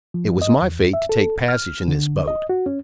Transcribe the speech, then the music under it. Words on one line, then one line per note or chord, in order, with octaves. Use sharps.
It was my fate to take passage in this boat.
F3
D#5
E2
E5
A4
F6
D3
D#5
F#4
C#4